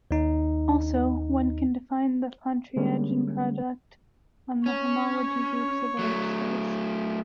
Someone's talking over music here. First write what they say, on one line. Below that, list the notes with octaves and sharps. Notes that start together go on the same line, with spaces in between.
Also, one can define the Pontryagin product on the homology groups of an H-space.
D#2 D#4
D3 G3 G#3 A#3 C#4
C#4 C#5
F#3 A3